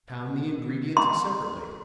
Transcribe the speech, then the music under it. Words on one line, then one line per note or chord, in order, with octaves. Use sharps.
Pound the ingredients separately.
C6